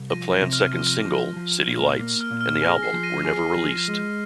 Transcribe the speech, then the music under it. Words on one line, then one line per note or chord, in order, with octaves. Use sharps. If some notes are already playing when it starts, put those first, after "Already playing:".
A planned second single, "City Lights", and the album were never released.
Already playing: C2
F3 A#6 D#7
A#6
C3
F6
F3
F3
F3
A#2
A#3
F6
A#2
F6
G#4 A#6
C7
F3
A#6 D#7
G#4 C7
F3
G#3